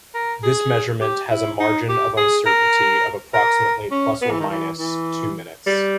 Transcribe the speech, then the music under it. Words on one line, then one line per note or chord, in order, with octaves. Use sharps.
This measurement has a margin of uncertainty of approximately plus or minus two minutes.
A#4
G#4
G4
E4
D#4
G4
G#4
A#4
A#4
C#4
B3
E3
D#3
E3
E3
G3